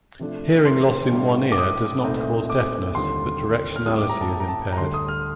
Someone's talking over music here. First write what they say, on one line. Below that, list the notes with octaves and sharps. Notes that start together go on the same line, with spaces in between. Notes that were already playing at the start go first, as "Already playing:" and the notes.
Hearing loss in one ear does not cause deafness but directionality is impaired.
C3 F3 A3 D4 F4
C6
A2 G3 D4 F4
D6
D#6
C2 A#2 A3 C4 D#4
D6
D#2 D3 G3 C4 F4 C6
F6
A2 G3 C4 D#6
D6
A#5
A5
A5
A#5
A5
A#5
D2 D3 G3 C6
D#6
F6